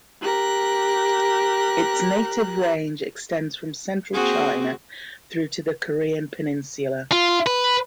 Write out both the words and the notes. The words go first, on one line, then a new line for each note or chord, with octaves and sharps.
Its native range extends from Central China through to the Korean peninsula.
G4 A#4 F#6
A#3 C4 F#4 G#4
F4
B4